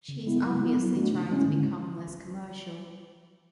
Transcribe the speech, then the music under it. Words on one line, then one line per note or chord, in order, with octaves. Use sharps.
She's obviously trying to become less commercial.
C#3
G#3 B3 E4
F#3
B3 E4
F#3
A3 D4 F#4
C#3
G#3 C#4 E4
D3